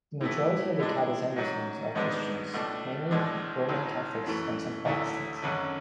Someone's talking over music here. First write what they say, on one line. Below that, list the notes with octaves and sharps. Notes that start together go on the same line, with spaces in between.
The majority of the Kadazandusuns are Christians, mainly Roman Catholics and some Protestants.
A2 E3 A3 E4
A2 G#3 D4
G#2 F#3 C#4
G#1 G#2 G#3 B3 D4
C#2 B2 A3 D4
B1 A2 G#3 D4
B1 A2 F#3
F#2 E3 A3
D2 D3 F#3 A3 E4
G#1 F#2 D3 F#3 C#4